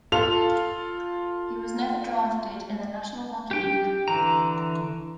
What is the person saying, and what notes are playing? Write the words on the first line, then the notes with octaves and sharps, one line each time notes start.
He was never drafted in the National Hockey League.
F4 A4 F7
G4 G5
D3 E3 A#5